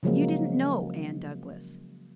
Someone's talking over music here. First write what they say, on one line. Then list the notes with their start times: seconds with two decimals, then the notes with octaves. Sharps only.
You didn't know Anne Douglas?
0.03 C#3 F3 F#3 G#3 A#3